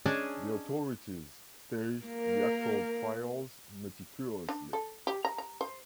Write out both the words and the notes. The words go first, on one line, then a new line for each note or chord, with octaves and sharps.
The authorities staged the actual trials meticulously.
C#4 D4 G#4 D#5 A5 A#5
A#3 A#4
D4
A4
G4
A#5
A#5
C5